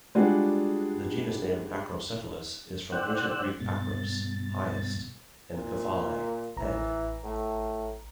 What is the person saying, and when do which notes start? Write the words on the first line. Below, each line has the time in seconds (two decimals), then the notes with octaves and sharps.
The genus name "Acrocephalus" is from Ancient Greek "akros", "highest", and "kephale", "head".
0.15 G3 G#3 D4 F4 F#4 G#4
2.92 C5 D5 F#5 G5 E6 F#6
3.60 G2 B2 A6
5.52 A#2
6.57 A1 E3 A#5
7.24 A2